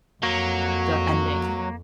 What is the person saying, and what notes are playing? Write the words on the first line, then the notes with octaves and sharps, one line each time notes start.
the ending.
F2 F#3 A#3